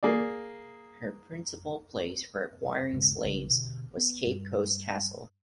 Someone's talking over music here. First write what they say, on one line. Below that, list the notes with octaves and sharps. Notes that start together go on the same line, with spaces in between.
Her principal place for acquiring slaves was Cape Coast Castle.
A#3 G#4 D5
D#1 G2 C#3 G#3
A#1 C#3
B2 D3
B3
G2